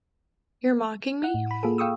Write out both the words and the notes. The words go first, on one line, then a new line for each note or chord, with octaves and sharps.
You’re mocking me?
E4 F#5
A2
B5
A#3 F4 G#4 A4
F5 G5 C#6 D#6 E6